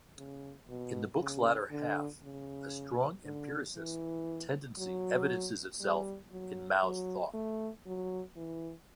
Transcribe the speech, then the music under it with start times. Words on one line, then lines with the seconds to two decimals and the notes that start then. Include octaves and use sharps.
In the book's latter half, a strong empiricist tendency evidences itself in Mao's thought.
0.18 C#3
0.69 B2
1.20 C#3
1.71 D3
2.23 C#3
3.25 D3
3.77 E3
4.79 F#3
5.81 G3
6.32 F#3
6.83 F#3
7.34 A3
7.86 F#3
8.36 E3